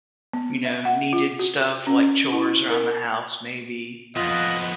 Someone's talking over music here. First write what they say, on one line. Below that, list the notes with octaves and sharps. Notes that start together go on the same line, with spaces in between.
you know, needed stuff, like chores around the house maybe,
B3
E5
F#5
F4
F#4
C#4
E4
A#4
F2 B3 F4 D#5 F#6